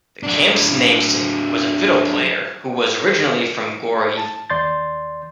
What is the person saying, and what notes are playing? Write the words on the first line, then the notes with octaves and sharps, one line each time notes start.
The camp's namesake was a fiddle player who was originally from Goree.
F#3 D4
A5
D#2 D5 C6 G6 A6